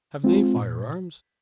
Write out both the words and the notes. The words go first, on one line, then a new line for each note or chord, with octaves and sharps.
"Have they fire-arms?"
G#3 C4 F4
A#2